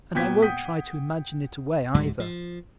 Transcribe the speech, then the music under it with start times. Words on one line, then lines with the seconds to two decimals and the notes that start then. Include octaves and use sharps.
And I won't try to imagine it away, either.
0.15 A#2 B3 F#4 G5 G#6 B6
0.42 F#5 G5 D#6 G6 B6
1.94 C#2 G#2 F#3 G3
2.20 F3